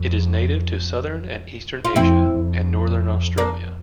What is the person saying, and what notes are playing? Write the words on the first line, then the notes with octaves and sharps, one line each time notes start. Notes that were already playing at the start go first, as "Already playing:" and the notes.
It is native to southern and eastern Asia and northern Australia.
Already playing: F2
F4
F2 C4 E4
F2
A#3 D4